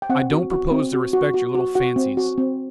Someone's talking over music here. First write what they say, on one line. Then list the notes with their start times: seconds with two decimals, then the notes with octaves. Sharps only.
I don't propose to respect your little fancies.
0.02 G5
0.10 C4 F#5
0.31 F#4
0.52 F#4
0.71 C4
0.93 F#4
1.13 F#4
1.34 F#4
1.55 F#4
1.75 F#4 F#5
1.96 C4
2.17 F#4
2.38 C4